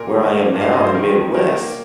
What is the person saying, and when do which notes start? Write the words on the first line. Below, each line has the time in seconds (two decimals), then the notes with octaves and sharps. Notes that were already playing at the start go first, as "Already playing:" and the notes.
where I am now in the Midwest,
Already playing: A#2 A#4
0.14 D#3
0.34 A#3
0.54 G2
0.61 F5
0.73 G2 D#5
0.84 C5
0.94 D#3 A#4
1.14 F2
1.35 D#3 A#4
1.54 A#3